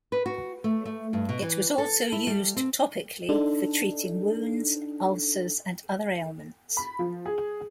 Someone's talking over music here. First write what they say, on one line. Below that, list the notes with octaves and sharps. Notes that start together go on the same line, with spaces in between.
It was also used topically for treating wounds, ulcers and other ailments.
B4
F#4
A3
A3
G2
B2
E3
A4
E4
G3
C4
D4 D#4 A4
B5
F3
G#4